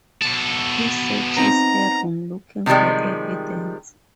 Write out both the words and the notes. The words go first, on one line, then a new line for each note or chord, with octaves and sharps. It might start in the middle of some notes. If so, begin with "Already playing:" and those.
He searches her room looking for evidence.
B2 A4
B3 C4 D#4 A#5
C3 D#3 F3 G3 G#3